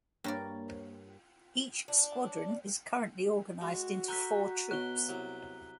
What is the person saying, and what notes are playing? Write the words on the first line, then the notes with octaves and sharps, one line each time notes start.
Each squadron is currently organized into four troops.
G2 A#3 A#4 C#5 D5
D4
G#3 F#4
A4 G#5 A#5 C6 F#6 G6 B6
B2 B3 C#5 F#6 G7
C2 F#3